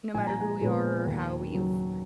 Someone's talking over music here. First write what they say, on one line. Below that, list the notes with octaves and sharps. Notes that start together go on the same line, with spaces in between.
no matter who we are or how we've
A#1 G#5
A#5
G#4 G#5
A#2 G#3 B3
D#2
C#3 F#3